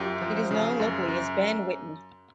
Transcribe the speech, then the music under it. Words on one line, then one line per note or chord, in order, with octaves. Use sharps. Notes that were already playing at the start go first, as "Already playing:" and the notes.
It is known locally as "Ben Whitton".
Already playing: F#2 F4 G4
F3
C#3
F#2
F#2